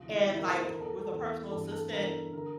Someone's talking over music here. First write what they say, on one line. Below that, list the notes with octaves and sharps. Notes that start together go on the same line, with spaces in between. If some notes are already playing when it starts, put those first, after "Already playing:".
and, like, with a personal assistant,
Already playing: D2 C3 E3 F4
E4
D2 C3 E3 E4
A#4
C5
C5
E2 E3 A#4
A4
A4
E2 E3 A4
G2 E3 A4
A4
G2 E3 A#4
D3 A#4